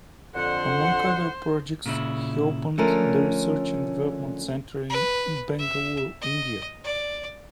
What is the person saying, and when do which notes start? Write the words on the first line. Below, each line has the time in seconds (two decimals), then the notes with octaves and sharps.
Among other projects, he opened the Research and Development center at Bengaluru, India.
0.36 F2 D3 C5 F#5
1.86 A#2 C#3 E4
2.78 D3 F3 A3 C#4 A#4
4.90 B4
5.58 E5
6.21 D#5
6.84 D5